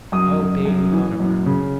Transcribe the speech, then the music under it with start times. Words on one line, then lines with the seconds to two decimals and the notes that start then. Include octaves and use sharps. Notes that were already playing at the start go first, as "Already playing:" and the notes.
I obeyed without a murmur.
0.12 F#2 D#6
0.40 F#2
0.65 F#2
0.92 E3
1.20 F#2
1.46 C#3